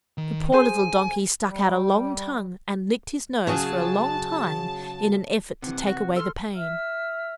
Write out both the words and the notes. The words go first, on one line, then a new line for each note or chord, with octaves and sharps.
The poor little Donkey stuck out a long tongue and licked his nose for a long time in an effort to take away the pain.
D#3
G#4 C5 G#5
G3
C#3 F#3 G#4 A5
C3 E3 F#5
F#4
A4 C6 F6
E5 E6 F6